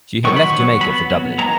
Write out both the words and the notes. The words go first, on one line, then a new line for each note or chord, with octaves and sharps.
She had left Jamaica for Dublin.
D#3 F#3 B3 C#6
B5
D#3 F#3 B3 C#6
F#3 B3 B5
F#3 B3
D#3 G#3 B3 A#5